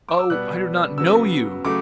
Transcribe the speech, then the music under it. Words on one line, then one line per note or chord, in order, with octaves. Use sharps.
"Oh, I do not know you!"
D6
E6
B2 G3 B3 F#6
C#3 F#3 B3 E6
C#3 F#3 A3 D6